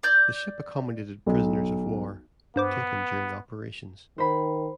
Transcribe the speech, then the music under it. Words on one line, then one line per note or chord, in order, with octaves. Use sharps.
The ship accommodated prisoners of war taken during operations.
D5 G6
B1
G2 B3 C5 D6
D#3 C5 B5